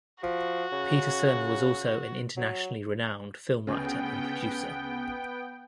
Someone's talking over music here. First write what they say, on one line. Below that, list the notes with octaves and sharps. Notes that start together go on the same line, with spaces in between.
Peterson was also an internationally renowned film writer and producer.
F3 F#4
C#3
F#3
D2 C#3 B3 G5